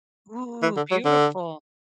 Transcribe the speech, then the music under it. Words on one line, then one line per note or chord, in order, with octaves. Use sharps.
Ooh, beautiful!
E3
D3
F#3
D3